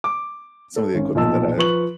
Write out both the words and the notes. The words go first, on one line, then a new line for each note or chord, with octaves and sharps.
some of the equipment that I've
D6
A4
G#1 C#4
B1 A#2 F3 D#5 A5 E6
F3 B4 C#6 F#7